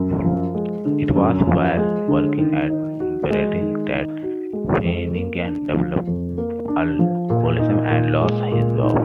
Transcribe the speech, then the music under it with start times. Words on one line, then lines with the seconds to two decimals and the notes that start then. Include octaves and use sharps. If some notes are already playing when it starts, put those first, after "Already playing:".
It was while working at Brading's that Finnigan developed alcoholism and lost his job.
Already playing: F#2
0.24 F3
0.55 G#3
0.85 D3
1.16 F#2
1.47 F3
1.77 G#3
2.08 D3
2.38 D#3
2.70 D#4
3.00 F#4
3.30 G#3
3.61 D#3
3.93 D#4
4.23 F#4
4.53 G#3
4.84 F2
5.15 A#3
5.46 D4
5.75 F3
6.07 F2
6.38 A#3
6.68 D4
6.99 F3
7.30 A#2
7.59 D#4
7.90 A#2
8.21 G#3
8.52 A#2
8.82 D#4